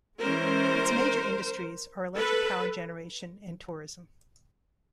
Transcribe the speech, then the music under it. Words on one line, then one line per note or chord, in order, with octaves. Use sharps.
Its major industries are electric power generation and tourism.
E3 G#3 C#4 A#4 C5
A4 B4